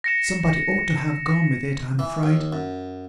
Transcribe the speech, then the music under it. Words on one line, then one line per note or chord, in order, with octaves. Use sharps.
Somebody ought to have gone with it, I'm afraid.'
A#6 C#7 E7
E3
D#2
F#2